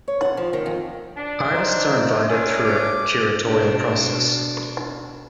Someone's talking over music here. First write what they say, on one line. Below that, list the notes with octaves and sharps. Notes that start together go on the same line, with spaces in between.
Artists are invited through a curatorial process.
C#5
F#5
F3
D#3
F2
D4
D#4 C5
A3 C#4 D4 G#5
D6
B2 D4